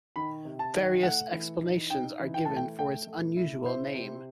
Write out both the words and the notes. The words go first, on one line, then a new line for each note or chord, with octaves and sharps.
Various explanations are given for its unusual name.
D#3 B5
C3
A5
D#3
A3 F#5
E3
D#4
D#4 G5
E3
G5
A3 A5
G5
A3 G5
A3
E4
E4 C5
C3